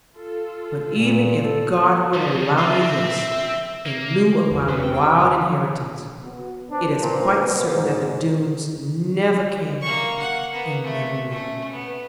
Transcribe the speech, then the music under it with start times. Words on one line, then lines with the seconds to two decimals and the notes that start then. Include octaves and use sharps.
But even if God would allow me this, in lieu of my wild inheritance, it is quite certain that the Doones never can and never will.'
0.15 F4 A4
0.91 A#2
1.39 A4
2.14 C#2 G3
2.58 F4 F#4 E5
2.81 C4
3.86 A#3
4.50 E2 D#4
4.68 C#3 A3 B4 C5
4.83 C4 G5
6.23 B3 F#4
6.71 D4 B4 C5
7.02 A#2
7.44 B2
7.73 G#2
9.81 A#3 C#6
10.20 F#5
10.51 A#3 B3
10.84 A3
11.30 A3 C#4
11.70 B3